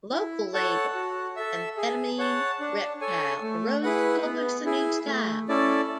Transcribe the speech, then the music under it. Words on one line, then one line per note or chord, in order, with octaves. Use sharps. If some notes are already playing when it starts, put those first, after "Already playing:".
Local label Amphetamine Reptile arose to publish the new style.
E4
A4 C#5 F#5 A5
F#4
A4 E5
G#4
C#5 F#5 A5
D4
A4 C#5 G#5
A3
E4 G#4 B4 F#5
B3
E4 G#4
A3
C#4 E4 A4 D5